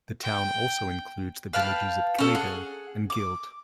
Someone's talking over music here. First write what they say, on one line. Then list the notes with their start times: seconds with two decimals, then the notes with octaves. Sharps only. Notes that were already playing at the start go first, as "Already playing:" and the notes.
The town also includes the villages of Kelleyville and Guild.
0.23 G5
1.53 B4 F5 G5 A5
2.18 C#4 A4
2.35 G#4 F#5
3.10 D6